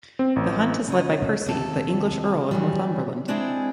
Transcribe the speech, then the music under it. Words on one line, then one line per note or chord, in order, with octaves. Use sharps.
The hunt is led by Percy, the English Earl of Northumberland.
C4
A1
C#3 C#5 D#5
D#2 C3 A4
E3 F#3 G3
G#3 C4 D4 E4 G#4